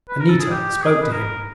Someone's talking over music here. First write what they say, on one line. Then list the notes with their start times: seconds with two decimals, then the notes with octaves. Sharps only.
Anita spoke to him.
0.09 B4
0.20 A#4
0.30 A4
0.40 G#4
0.50 G4
0.82 G#4
1.01 B4
1.12 A#4